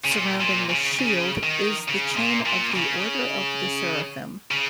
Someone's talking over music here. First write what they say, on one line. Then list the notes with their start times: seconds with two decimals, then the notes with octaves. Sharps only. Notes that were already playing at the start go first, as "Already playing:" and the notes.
Surrounding the shield is the chain of the Order of the Seraphim.
0.05 C#3
0.12 A#2
0.41 A#2
0.70 C#3
0.99 C#3
1.43 D#3
1.88 C#3
2.17 A#2
2.46 A#2
2.76 C#3
4.51 C#3